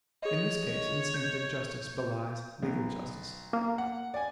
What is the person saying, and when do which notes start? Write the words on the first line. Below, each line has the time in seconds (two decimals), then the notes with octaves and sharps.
In this case, instinctive justice belies legal justice.
0.22 G#4 C#5 D#5
1.14 G6
2.63 B1
3.53 A#3
3.78 F#5
4.14 D5 G#5